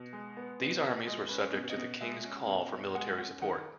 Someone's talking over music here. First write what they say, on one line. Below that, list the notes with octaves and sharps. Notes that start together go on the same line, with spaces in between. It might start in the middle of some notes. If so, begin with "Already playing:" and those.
These armies were subject to the king's call for military support.
Already playing: B2
G#3
B3
B2
B2
G#3 D#5
C#4 B4
C#5
B2
D#5
B2
G#3 E5
C#4
B2
B2
G#3 F#5
C#4 F#5
D#3 F#5